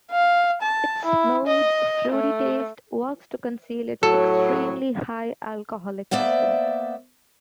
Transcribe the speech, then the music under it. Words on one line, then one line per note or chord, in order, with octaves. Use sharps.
Its smooth, fruity taste works to conceal its extremely high alcoholic content.
F5
A5
E4
D#5
A3
A2 F#3 A4
A#3 B3 C5 D5 E5